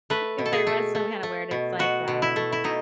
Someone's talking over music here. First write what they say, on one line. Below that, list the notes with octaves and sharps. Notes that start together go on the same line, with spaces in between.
'cause there was some kinda word, it's like, uh
A3 B4
B2
A4
G#4
A3
A3
A3
B2
B2 F#4
B2
E4
A3
E4
B2 D#4